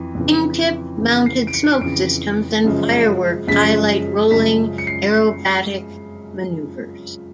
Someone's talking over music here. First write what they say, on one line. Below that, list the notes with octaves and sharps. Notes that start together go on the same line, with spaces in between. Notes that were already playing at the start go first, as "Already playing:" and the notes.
Wingtip mounted smoke systems and fireworks highlight rolling aerobatic maneuvers.
Already playing: F2 E3
F2 C#3 E3
F2 C#3 E3
C7
D7
C#7
F2 C#3 E3 D7
F#2 C#3 F3 G#3
F#2 C#3 F3 G#3 B6
F#2 C#3 F3 G#3 B6
C#7
C7